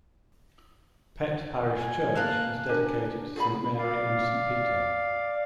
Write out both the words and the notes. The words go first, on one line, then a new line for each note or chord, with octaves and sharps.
Pett parish church is dedicated to Saint Mary and Saint Peter.
G#5
A#3 F5 A5 F#6
D4 A#4 B4 G#5
F4 G#4 C#5 B5
D5 F5